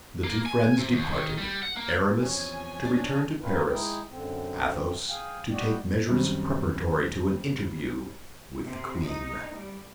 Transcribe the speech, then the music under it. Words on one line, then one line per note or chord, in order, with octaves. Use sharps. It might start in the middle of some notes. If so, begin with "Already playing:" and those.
The two friends departed--Aramis to return to Paris, Athos to take measures preparatory to an interview with the queen.
A#3
G#5
C3
D#2
D#3
G3
F#5
A#3
E2 C3 F3 C#4 C#5 G#5
D4
C4 C#4 D#4 F4 A#4 B4
G#3 D#4 E4 G#4 G5
F#2 D3 C4
G#4 F5 G5 G#5
G3 F#4 D5 D#5 G5
F#2 D#3 G3 C4
C3
D#4
G3